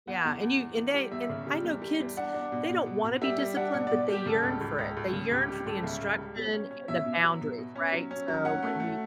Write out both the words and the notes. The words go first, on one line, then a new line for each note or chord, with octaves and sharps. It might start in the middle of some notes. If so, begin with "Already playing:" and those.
Yeah, and you and they and I know kids, they don't wanna be disciplined, but they yearn for it. They yearn for the instruction and the boundaries, right? So, when we
E2 F#5
E2
E2
E2
E2
G3
E2 E5
C#3
G3
E2
G3
E2
D4 F#5
D4
B2
B2
B2
B2
G3 E5
G3
D4 F#5
B2 F#5
B2 D5
G3 G4
C#3 A4
C#2
C#2
C#2
C#2
C#3
C#2 G4
G3 G4
C#2 A4
C#3 E5
C#2
G3
B2
C#4
C#4
B2 E5
B2
F#3
B2
B2
C#4
F#3
C#4
F#3
C#4 F#5
A3
A3